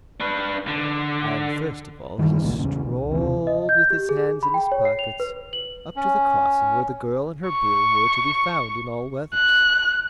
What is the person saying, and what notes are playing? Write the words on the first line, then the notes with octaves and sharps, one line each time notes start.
And first of all he strolled with his hands in his pockets up to the crossing, where the girl and her broom were to be found in all weathers.
D4 B4
D3
G2 D#3 E3
G#1 C#2 A#2
E2 C#3
B1
D#1 C3 D#3 E3
D#5
G6
G4
G#4
B5
G5
C#5
C7
F7
B4
F#7
C#4
C#6
F#6